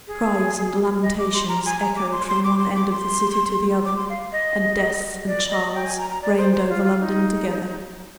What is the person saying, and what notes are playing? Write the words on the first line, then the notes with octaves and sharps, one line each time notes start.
Cries and lamentations echoed from one end of the city to the other, and Death and Charles reigned over London together.
G#4
D#5
D6
C6
A#5
G#5
A#5
D6
C6
C6
D6
C6
D6
C6
D6
C6
F5
D#5
D5
D#5
G5
G#5
A#5
A#5
D5
C5
C5
F4
F4
D#4